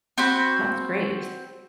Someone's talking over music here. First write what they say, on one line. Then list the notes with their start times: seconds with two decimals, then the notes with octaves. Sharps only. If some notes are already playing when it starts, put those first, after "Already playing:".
That's great.
0.18 C4 F#4 C5 B5